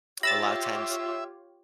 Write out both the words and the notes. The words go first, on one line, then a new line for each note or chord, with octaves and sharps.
a lotta times,
F4 G4 C#5 E5 B5 E6 A6 A#6